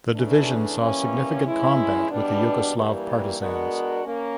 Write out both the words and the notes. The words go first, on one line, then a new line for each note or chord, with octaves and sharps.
The divisions saw significant combat with the Yugoslav Partisans.
E2 C#3 E3 A3 D4
E3 G3 A#3 C#4
E3 G#3 C#4 E4
E2 B2 G3 B3 D4
G2 E3 G3 A#3
G#3 B3 D4 F#4 A#4
A#3 C#4